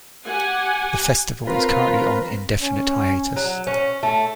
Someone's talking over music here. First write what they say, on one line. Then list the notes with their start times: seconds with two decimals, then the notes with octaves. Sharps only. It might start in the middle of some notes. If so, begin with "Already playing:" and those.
The festival is currently on indefinite hiatus.
0.25 G4 F#5 G#5
1.47 C4 F4 A#4 B4
2.61 C#4
3.36 F#3
3.67 C#4
4.03 A3